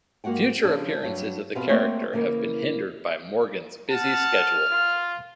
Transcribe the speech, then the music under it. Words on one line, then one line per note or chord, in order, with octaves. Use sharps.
Future appearances of the character have been hindered by Morgan's busy schedule.
G#2 A#3 F#4 F#5 G5
C#3 F3 C#4 D4
G2 F#3
B2 C4 G4 B4 F5
A3 A#3 C4 C#5 F#5 G5
C#3 E3 A#3 A#4
F#5 A5 F6
F4